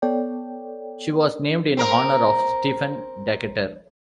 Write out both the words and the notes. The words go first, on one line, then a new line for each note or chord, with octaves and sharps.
She was named in honor of Stephen Decatur.
B3 A4 C#5 D5 G5
C4 A#4